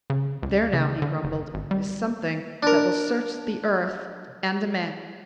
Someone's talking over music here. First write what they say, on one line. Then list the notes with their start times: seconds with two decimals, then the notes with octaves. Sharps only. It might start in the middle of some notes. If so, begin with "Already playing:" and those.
"There now," he grumbled, "is something that will search the earth and a man."
0.10 C#3
0.43 C#2
0.73 C#3
1.02 D3
1.24 F#1
1.54 G#1
1.71 G3
2.63 D4 A#4